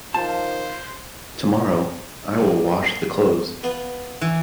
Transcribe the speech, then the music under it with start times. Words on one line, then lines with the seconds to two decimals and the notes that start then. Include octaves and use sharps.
Tomorrow, I will wash the clothes.
0.14 D#3 F3 F4 C5 A5
2.38 A#1 A#2
3.63 B3 F4 B4
4.21 E3